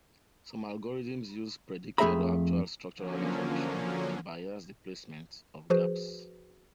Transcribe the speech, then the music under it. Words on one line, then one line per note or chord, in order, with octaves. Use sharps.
Some algorithms use predicted or actual structural information to bias the placement of gaps.
F2 A3 G#4 E5 A#5 B5
D3 F3 F#3 A#3 C#4
F3 F#4 G#4 B4 C5